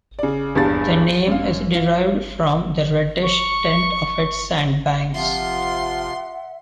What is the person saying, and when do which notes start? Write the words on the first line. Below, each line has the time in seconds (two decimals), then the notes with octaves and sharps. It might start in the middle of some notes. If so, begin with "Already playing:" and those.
The name is derived from the reddish tint of its sandbanks.
0.19 C#3 D5
0.55 D#1 E2 G2 D4 F5 A6
1.27 F#2 F5
1.75 F4
3.23 C#6
5.14 C3 F3 F4 E5 F#5 C6